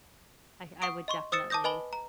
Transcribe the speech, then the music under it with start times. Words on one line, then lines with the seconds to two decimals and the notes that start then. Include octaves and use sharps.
I I would definitely
0.82 F#5 C#6 D#6 D7
1.08 D#5 C6 C#6
1.32 C5 D#6 E6 A6 C#7 E7
1.50 A5 D6 D#6 G6 A#6
1.64 B4 D#5 G#5 B5 F#7 G7
1.93 A#5